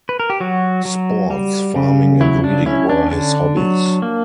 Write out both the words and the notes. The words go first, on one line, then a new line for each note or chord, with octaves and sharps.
Sports, farming and reading were his hobbies.
B4
A#4
G4
F#3 F#4
F#3
G3
C#3
F#3 E4
D4
C#4 E4
D4
D3 D4
F#3
A#3